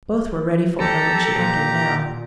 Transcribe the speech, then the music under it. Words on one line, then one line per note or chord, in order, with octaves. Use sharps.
Both were ready for her when she entered now.
G4 A4 A#5
A#2